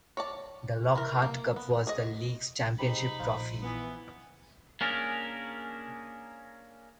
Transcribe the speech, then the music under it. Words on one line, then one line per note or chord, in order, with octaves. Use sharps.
The Lockhart Cup was the league's championship trophy.
C#5 D5 A5
E3 A#4
A#3
B3
G#4 D#5
G#3 C4 D#4 G4 B5
A#1 F4 C5
E3 B3
A#3 C#4 D4 G#4 A#4